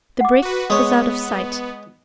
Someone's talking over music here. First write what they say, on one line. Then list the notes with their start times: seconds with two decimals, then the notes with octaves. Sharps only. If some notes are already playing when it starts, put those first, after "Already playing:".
The brig was out of sight.
0.20 F#5 D6
0.42 F#4 B4
0.70 G#3 B3 C#5